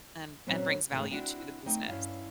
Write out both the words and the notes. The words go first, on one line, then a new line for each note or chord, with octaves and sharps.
and and brings value to the business.
A#2 C#3 F#3 C4 C#4
G#2 C3 D#3 E3 G#3 A3
C4 D4 E4 F#4
A3 C4 D#4 G5
G2 C#4 E4 F5